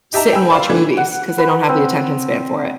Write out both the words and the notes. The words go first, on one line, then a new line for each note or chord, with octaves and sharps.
sit and watch movies, 'cause they don't have the attention span for it.
D#4 G4 E5 A5 A#5
G5 G#5 B5 E6
C5 D5 F5
E3 A3 D4
F#5
B4
C4